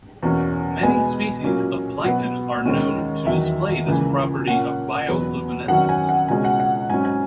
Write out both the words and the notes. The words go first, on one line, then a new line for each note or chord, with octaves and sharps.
Many species of plankton are known to display this property of bioluminescence.
E2 B2 A#3 C#4
B2 G#3 B3 G#5
A#2 F#3 A#3 C#4
B2 F#3 B3 F#5
D#2 D#3 G#3 C#4
E2 D#3 F#3 E5
C#2 C#3 E3 A#3
A#2 A#3 C#4 F#5
E2 B2 F#3 B3
F#2 D#3 F#3 C#4 F#5
G#5
F#5
C#2 B2 G#3 C#4 G#5
F#5
F#5
G#2 F#3 C#4 G#5
G#5